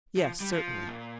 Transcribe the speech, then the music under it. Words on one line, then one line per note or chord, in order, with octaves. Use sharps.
"Yes certainly."
F3
G3
F3
A#2